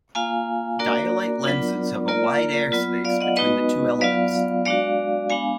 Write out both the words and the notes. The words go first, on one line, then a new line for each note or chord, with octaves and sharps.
Dialyte lenses have a wide air space between the two elements.
A#3 F4 F5 G#5
A#3 D4 F#4 A#4 D5
F#3 B3 D4 F4
A#3 F4 A#4 D5
F#3 B3 F4
D5 F5
D#5 F#5
G#3 B3 D#4 F#4 B4 D#5
F#3 B3 F4 D5 F5
G#3 D4 F#4 D5 F5
G#3 B3 D4 F5 G#5